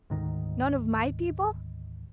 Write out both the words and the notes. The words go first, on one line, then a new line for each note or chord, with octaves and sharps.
None of my people?
D2 G#2 D#3